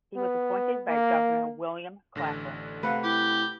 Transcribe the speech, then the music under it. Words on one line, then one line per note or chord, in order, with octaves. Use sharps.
He was appointed by Governor William Claflin.
B3
A#3
A1 D3 A#6
C3 A3 B4 F5 F#5
E4 G4